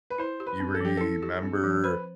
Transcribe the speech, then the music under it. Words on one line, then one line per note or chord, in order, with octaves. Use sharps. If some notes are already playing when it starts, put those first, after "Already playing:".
you remember,
B4
E4 C5
G4
B4
C4
A4
F3 G4
E4 A4
G4
C4
F3
B4 C5